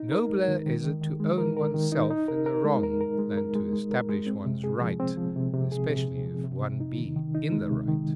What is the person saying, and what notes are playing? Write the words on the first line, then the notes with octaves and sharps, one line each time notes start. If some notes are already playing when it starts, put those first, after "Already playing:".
Nobler is it to own oneself in the wrong than to establish one's right, especially if one be in the right.
Already playing: D#4
A#4
G#3
D#3
D#3
D#3
D#3
G#3
A#4
A#4
D#3
D#4
D#4
A#4
A#4
G#3
A#4
A#4
G#3
A#4
G#3
G#3
A#4
G#3
C4
C3
G#4
F3
C4
F3
C3
C3
G#4
C3
C4
F3
C3
C3
D#4
D#3
D#3
D#4
G#3
C3
D#3